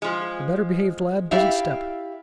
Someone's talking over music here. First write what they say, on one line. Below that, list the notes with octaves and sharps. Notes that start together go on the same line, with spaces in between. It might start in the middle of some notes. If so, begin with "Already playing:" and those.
A better-behaved lad doesn't step.
F3 G#3
E4 G4 D5 E5 F5